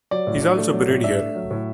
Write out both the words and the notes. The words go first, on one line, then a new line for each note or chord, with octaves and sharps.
He is also buried here.
F#3 D5
A2
D4
A3
F#3
A2
D4 E5
A3
F#3
A2